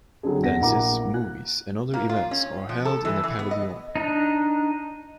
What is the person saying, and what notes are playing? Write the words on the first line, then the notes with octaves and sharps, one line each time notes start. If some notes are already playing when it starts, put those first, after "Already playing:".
Dances, movies, and other events are held in a pavilion.
D3 F#3 C4 D4 G#4
E2 F#5 A#6
A#1 E4 A#4 F#5 A#5 D6
F#6
A#3
F4
C#4
F3
A4
E3
E3
B3
D#5
D4 D#4